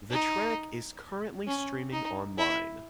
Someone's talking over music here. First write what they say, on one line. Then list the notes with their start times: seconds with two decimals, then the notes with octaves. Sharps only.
The track is currently streaming online.
0.11 D#4
1.47 C#4
1.92 D#4
2.38 E4